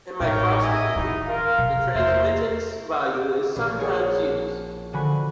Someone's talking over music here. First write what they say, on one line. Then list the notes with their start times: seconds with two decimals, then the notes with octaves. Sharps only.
In microscopy, the transmittance value is sometimes used.
0.20 A1 G#2 D#4 A#4 C#5 G5
0.61 D#5 E5 G#5
0.95 D#3 E3 D#4 E4
1.27 F4 A#4 F5
1.58 C3
1.94 E2 A#3 A#4 C5 E5
3.14 G4
3.56 A#1
3.79 F4 F#4 G#4 A#4 C#5
4.93 D3 F3 F#4 G#5 B5 F#6